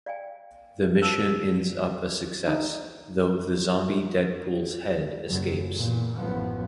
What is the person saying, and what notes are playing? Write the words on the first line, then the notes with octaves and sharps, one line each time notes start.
The mission ends up a success, though the zombie Deadpool's head escapes.
D5 F5 G5 G#5
C#4 A#4 C5 F5 A5 E6
D#4
F#1 F#2
E2 A#2
A1 F#2 F3 B3